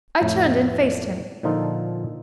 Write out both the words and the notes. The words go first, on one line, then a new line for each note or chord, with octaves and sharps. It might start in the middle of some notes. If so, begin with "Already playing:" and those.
I turned and faced him.
F2 A2 A3
A#2 D3 F3 D#4 F4 A4